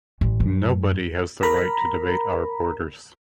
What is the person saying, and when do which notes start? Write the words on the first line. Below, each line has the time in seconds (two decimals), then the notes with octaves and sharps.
Nobody has the right to debate our borders.
0.21 A1
0.40 F#2
1.43 A#4 A#5 B5